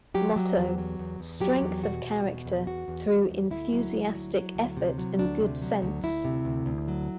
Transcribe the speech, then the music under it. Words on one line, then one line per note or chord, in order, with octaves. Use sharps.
Motto: "Strength of Character Through Enthusiastic Effort and Good Sense".
F#3 G4
F#3
E2
F#3
E2
E2
F#3 G4
E2
B2 F#4
E2
B2
E2
E2 F#4
E2
E2
E2
D2 E4
F#3
D2
F#3
F#3
D2
C3
F#3
D2 D4
C3
F#3
D2
D2 E4
C3
D2
D2
F#3